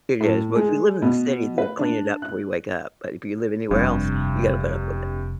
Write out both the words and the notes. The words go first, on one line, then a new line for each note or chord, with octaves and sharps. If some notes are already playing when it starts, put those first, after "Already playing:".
it is, but if you live in the city, they'll clean it up before you wake up, but if you live anywhere else, you gotta put up with it.
A2
G#3
B2
B4
D4
F#6
F1 G2 C3